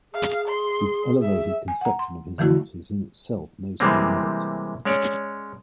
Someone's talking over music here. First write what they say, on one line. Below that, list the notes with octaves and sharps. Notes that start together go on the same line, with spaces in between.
This elevated conception of his art is in itself no small merit.
G#4 F5
C6
E5
G#5
F#5 A#5
C6
D3 E3 F3 A3 E4 F#4
C3 E3 G3 G#3 A#3 C4
G#3 C#4 C#5 D5